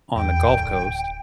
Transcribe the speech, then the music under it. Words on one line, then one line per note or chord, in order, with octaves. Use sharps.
on the Gulf Coast,
E2 G5
D1